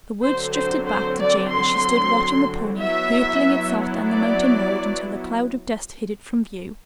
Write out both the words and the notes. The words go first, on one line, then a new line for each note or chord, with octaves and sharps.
The words drifted back to Jane as she stood watching the pony hurtling itself down the mountain road until the cloud of dust hid it from view.
D3 F#3 C4 C5
C5
C5
D5
C6
F#3 B3 E4 E5
D5